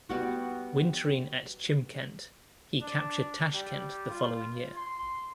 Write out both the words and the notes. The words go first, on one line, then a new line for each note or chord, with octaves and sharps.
Wintering at Chimkent, he captured Tashkent the following year.
G3 B3 F#4
D4
G3
F4
C6